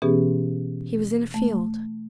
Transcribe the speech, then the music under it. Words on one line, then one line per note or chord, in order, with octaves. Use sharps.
He was in a field.
B2 E3 B3 C#4 G4 G#4
A3